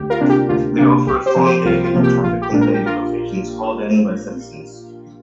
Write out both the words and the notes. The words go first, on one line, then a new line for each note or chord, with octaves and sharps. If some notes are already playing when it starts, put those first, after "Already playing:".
They also respond daily to traffic complaint locations called in by citizens.
Already playing: D2 G4
F4 A#4
C3 A#3 D4
G4
D2 F4
C3 A#3 D4
C2 G4
G4 C5
C3 F3 A#3
G4 C5
C2 F4 A#4
F4
C3 F3 A#3
G4
A#1 F4
G4
A#2 A#3 D4
A#4
G4
F4 A#4